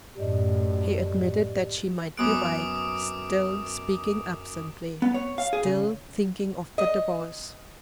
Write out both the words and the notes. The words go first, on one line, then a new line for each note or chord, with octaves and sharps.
He admitted that she might be right; still speaking absently, still thinking of the Divorce.
F#2 A2 G4 D5 D#5
F#2 B3 D6 D#6 F#6 D7
B3
C#5
F5
G#4
C#3
D#5